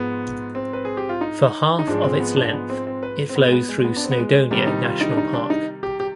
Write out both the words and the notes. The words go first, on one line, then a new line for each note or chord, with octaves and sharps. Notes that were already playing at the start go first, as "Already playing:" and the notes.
For half of its length it flows through Snowdonia National Park.
Already playing: G#2 F3 G#3 B3
C4
B4
G#4
G4
F4
D#4
D#4
G#2 F3 G#3 D4
C4
B3
D4
B3
C4
C4
B4
C4
B3
G#3
B3
G#3
G#3
B3
D4
C4
B3
G#3
C3 D#3 G3 B3
D#4
F4
D#4
D4
D#4
D4
D#4
G4
G4